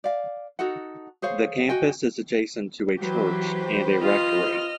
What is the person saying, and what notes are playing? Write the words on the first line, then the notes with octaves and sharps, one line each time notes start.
The campus is adjacent to a church and a rectory.
D5 F5
D#4 F#4 A4 F#5
G#4 C5 C#5 F5
F#4 D#5 G5 G#5
E3 F#3 G4 B4 C5
F4 D#5 F6